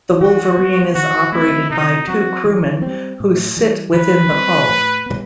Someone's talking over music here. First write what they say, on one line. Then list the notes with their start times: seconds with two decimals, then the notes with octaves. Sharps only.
The Wolverine is operated by two crewmen who sit within the hull.
0.21 E3 F#4
0.57 G3 B3
0.95 D#3 F#4
1.32 A3 C4 E4
1.70 C3 D#4
2.08 F#3 C4 F#4
2.44 E3
2.82 G3 C4
3.20 A2
3.57 E3 G3
3.94 E3 B4
4.31 G3 C4
4.69 A2
5.06 G3 B3